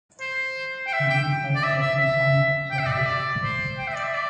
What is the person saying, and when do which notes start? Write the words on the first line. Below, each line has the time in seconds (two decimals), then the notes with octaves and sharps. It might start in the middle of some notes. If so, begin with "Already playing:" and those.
Read five chapters on Sunday.
0.20 C5
0.87 G5
0.93 E5
1.10 G5
1.55 D5
1.63 E5
1.81 E5
1.99 E5
2.71 G5
2.79 E5
2.86 D5
2.93 E5
3.07 D5
3.44 C5
3.78 G5
3.87 E5
3.95 D5
4.04 E5
4.15 D5